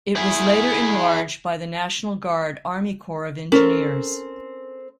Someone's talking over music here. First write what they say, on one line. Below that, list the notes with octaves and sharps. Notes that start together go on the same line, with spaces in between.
It was later enlarged by the National Guard Army Corps of Engineers.
E4 G#4
C4 C#4 A4 A#4